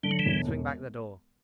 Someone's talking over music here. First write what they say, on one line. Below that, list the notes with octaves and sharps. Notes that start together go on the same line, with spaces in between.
Swing back the door.
D3 G3
F#3
E3 G3
E1
E1